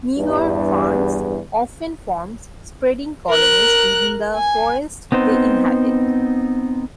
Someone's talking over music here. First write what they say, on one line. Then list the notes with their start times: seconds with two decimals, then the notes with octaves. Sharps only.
New York ferns often forms spreading colonies within the forests they inhabit.
0.17 E2 G2
3.29 A#4 F#6
4.34 G#5
5.12 B3 C4 D#4 C5